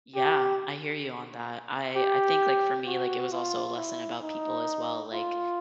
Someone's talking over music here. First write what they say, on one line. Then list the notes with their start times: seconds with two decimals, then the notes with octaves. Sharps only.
Yeah, I hear you on that. I I think, like, for me, like, it was also a lesson about people as well, like
0.15 G4
1.96 G4
2.87 F#4
3.32 F4
3.77 E4
4.22 D#4
5.13 F4